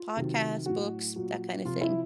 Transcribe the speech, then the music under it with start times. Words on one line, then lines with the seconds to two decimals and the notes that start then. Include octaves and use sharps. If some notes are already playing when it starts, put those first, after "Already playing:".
podcast, books, that kinda thing.
Already playing: F4
0.17 C3 D#3 F#3
0.66 A2 F#3 F#4
1.16 A#2 F#3
1.65 C3 F3 F4
1.81 E4